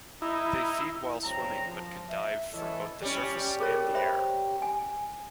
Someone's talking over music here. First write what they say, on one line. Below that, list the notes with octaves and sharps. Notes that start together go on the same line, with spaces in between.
They feed while swimming but can dive from both the surface and the air.
D#4 E4
F#1 G2 C4 C#5 A#5
F3
E5
E3 E4 A4 B4 C#5 D#5
G3 C#4
G#4 A#4 C#5
C5 E5 B5
G#5